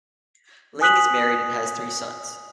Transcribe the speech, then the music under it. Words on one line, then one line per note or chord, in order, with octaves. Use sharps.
Ling is married and has three sons.
G#5 D#6 F#6 B6 F#7